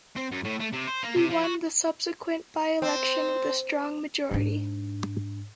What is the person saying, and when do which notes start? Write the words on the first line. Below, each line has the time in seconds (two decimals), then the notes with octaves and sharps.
He won the subsequent by-election with a strong majority.
0.16 C4
0.32 F#2
0.45 A2
0.60 A3
0.73 C3
0.87 C5
1.03 A#3
1.16 C3
1.29 F3
1.44 F#4
2.82 C4
4.31 G#2 D4